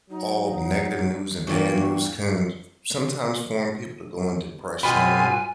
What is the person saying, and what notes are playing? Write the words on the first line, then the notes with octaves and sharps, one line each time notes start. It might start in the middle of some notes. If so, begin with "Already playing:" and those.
all negative news and bad news can s sometimes form people to go in depression.
F#3 D#4
E2 G2 G3 A#3 F4 C#6
B2 G#3 C4 F4 G#5 B5